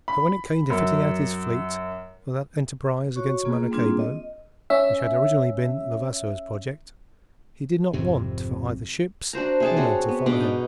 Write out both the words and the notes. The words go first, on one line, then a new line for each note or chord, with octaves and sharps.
So when it came to fitting out his fleet for that enterprise against Maracaybo, which had originally been Levasseur's project, he did not want for either ships or men to follow him.
B5
F#2
F#4 C#5 C#6
A#3 F4 G#4
G3 A#3 C4 D4 F4 G#4
D#5
C#4 E5
G#1 F2 C3
D4 F#4 C5 A#5
C3 G#4 A5
C4 F#4 C#5
B3
B2 D4 D6
D#4